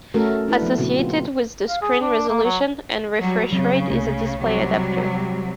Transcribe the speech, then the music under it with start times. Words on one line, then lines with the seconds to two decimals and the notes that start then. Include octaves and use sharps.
Associated with the screen resolution and refresh rate is a display adapter.
0.14 A3 C#4 F#4 A4 A#4
0.48 D4 E4 B4
0.62 F3 B3
0.78 A#2 C#3 A#3 C4 F#4
0.99 F4
1.69 F5
1.82 G#4
2.01 D4
2.29 A#3
2.44 F#3
3.21 F#3 G3
3.53 C#3 F#3 C4
3.90 C2 A3 A#3
4.41 C3 F#3 G3